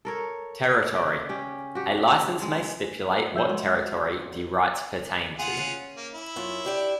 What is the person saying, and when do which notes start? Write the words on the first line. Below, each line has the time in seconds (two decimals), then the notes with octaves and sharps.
Territory: a license may stipulate what territory the rights pertain to.
0.05 A4 A#4 C#5
0.94 C#3 D5
1.29 C#4 G4
1.75 F#4 G4
2.42 G#3
3.34 F3 C#5 D#5 E5 F#5 G6
3.49 G#3 F#4
4.20 F2
5.39 F4 G#4 F#5
5.57 C#4
5.96 A#3
6.13 E4
6.36 F#2 F4 C#5
6.65 D4 G4 D5